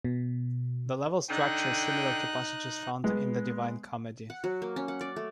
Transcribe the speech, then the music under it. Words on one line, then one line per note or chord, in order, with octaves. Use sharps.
The level structure is similar to passages found in the Divine Comedy.
B2
D3 D#4 G5 F#6
G#3 B3
F#5
F#3
A#3
C#4
F#5
D5
A3